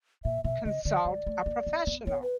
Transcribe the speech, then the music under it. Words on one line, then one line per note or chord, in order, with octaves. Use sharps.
consult a professional.
A#2 E5
B2 E5
C#3 D#5
D3 D5
G#3
A3
A#3
B3
B3
B3 C#5
B4